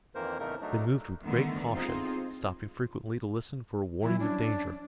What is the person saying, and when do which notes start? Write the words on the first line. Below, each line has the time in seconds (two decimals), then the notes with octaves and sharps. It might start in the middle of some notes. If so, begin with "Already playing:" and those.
They moved with great caution, stopping frequently to listen for a warning of danger.
0.15 F2 D#3 E3 A#3 A#4 C5
0.39 E2 A2 C#3 A3 D#4 A#4
0.61 F#3 A3 D4 D#4
1.22 D3 D#3 G3 A3 B3
1.71 C4 D#4 F4 G#4 C5
4.03 E3 F#3 E4
4.20 C#4 D4